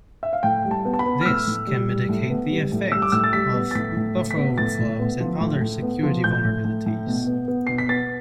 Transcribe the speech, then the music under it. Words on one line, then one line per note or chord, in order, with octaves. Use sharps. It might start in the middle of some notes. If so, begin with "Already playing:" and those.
This can mitigate the effects of buffer overflows and other security vulnerabilities.
E5
F5
A2 G5
G3
A5
B3
A5
B5
B3
F6
A2 E6
A2
G3
G3
A2
B3
G3
A2
G3 E6
D6
A2 E6
A6
G3 B6
B3
A6
A2 B6
A2
A2
B6
B3
A2 A6
A2
B3
F3
A2
A2
B3
F3
A2 G6
A2
A2
A2
B2
B3
B3
B2 C7
B6
B3 A6